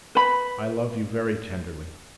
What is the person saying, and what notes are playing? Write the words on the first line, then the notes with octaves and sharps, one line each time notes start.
I love you very tenderly.
B4 B5